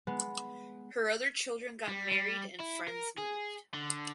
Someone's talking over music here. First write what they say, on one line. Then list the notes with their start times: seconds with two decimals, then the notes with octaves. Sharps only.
Her other children got married and friends moved.
0.07 G#3 B3
1.89 G3
2.12 G3
2.60 E4
2.88 A#4
3.18 G#4
3.74 D3